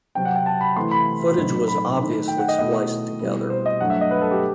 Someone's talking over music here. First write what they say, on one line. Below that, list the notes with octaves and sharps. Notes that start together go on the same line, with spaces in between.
Footage was obviously spliced together.
C3 F#3 C4 G5
F#5
G5
A5
B5
C3 E3 A3 E4 C6
B5
A2 F#3 C4 D#4
B5
D#3 A3 D#4
G5
F#5
D#5
B2 A3 E4 D#5
B2 G3 C4 E4
C5
D#5
G2 F#3 A3 F#5
E5
D#5
B4
A4
G4